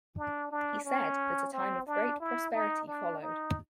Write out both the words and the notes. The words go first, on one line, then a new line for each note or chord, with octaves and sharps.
He said that a time of great prosperity followed.
D4
D4
C#4
C4
D4
E4
D#4
D4
D#4